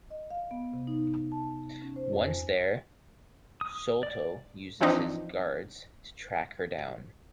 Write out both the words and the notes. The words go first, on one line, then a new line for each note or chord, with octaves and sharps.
Once there, Sholto uses his guards to track her down.
D#5
F5
B3
C3
D#4
A5
C#4
C5
F2
G#5
D#6
D5
E3 F3 C4 D4 D#4